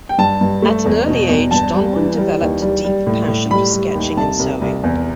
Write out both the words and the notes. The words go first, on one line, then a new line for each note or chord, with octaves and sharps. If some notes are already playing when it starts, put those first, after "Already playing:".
At an early age, Donwan developed a deep passion for sketching and sewing.
G5
G2 A5
G2
A3
E2
B2
E2
G2 A5
G3
E3
G3
D#2
G3
G3
A2
A2
G3 B5
G3
D#2
C2 A5
C2
C2
E2